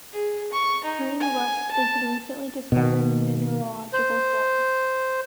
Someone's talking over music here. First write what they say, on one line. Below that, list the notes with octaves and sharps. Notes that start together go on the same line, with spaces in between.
Green rust is a recently discovered mineralogical form.
G#4
C#6
D#4
G#5
A5
B2 D#3
C5